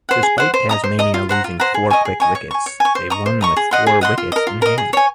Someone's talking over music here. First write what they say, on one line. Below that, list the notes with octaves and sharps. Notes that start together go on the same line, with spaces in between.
Despite Tasmania losing four quick wickets, they won with four wickets in hand.
C5 F#5
G#4
C5 F#5
C5
D#5 A#5 D#6
C5
D#5 A#5 D#6
F4
C5 F#5 A#5
F4
C5 F#5 A#5
G#4
D#5 G#5 C#6
G#4
D#5 G#5 C#6
C#5
G#5 C#6
C#5
G#5 C#6
C5
D#5 A#5 C#6
C5
D#5 A#5 C#6
G#4
D#5 F#5 C6
G#4
D#5 F#5 C6
F4
A#4 D#5
F4
A#4 D#5
G#4
C#5 G#5